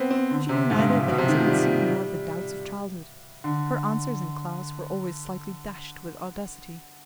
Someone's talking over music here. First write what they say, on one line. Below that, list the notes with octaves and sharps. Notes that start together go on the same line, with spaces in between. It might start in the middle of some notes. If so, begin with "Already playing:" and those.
She knew neither the hesitancy nor the doubts of childhood. Her answers in class were always slightly dashed with audacity.
Already playing: B3 C4
C4
D3
C3
G#2
G2
G2
G#2
B2
C3
D#3
F3
G3
D3